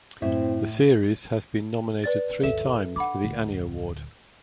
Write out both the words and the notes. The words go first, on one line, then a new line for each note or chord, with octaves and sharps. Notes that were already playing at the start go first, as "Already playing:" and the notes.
The series has been nominated three times for the Annie Award.
F#2 A2 C4 E4 E5
B4 D5 A6
G#1 D#2 A4 E5 E7
D4 D#4 F#5 B5 D6
D1 D3